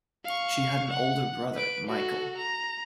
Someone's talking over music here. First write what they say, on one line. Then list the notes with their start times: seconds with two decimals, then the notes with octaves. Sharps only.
She had an older brother, Michael.
0.24 F5 C#6
0.91 F#5
1.55 B4 D7
1.87 F#4 A4
2.37 A#5